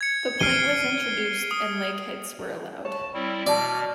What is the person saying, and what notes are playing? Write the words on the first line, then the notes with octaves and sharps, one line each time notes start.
The point was introduced and leg hits were allowed.
G#6 C#7
F6 C7 D7 D#7 G7
D#6
C#5 A5
G3 C4 E4
B2 D5 D#5 A5 F6